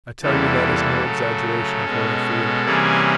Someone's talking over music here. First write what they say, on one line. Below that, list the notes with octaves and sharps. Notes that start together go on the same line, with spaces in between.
I tell you that is no exaggeration of what I feel.
E2 C3 E3 G3 A#3 A4
C#3 F#3 A3
B2 G#3 C#4
C3 E3 G3 A#3 C#4 G#4